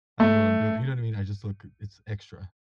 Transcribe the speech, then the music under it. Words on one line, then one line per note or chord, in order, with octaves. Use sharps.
I don't know what I'm doing, you know what I mean? I just look it's extra.
A3